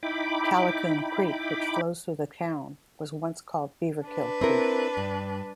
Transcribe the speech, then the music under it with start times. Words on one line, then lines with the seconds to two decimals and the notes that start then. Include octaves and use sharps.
Callicoon Creek, which flows through the town, was once called Beaverkill Creek.
0.03 D#4 E4 G5 B5 D6
4.07 D4 B4
4.41 C4 E4 A#4
4.97 G2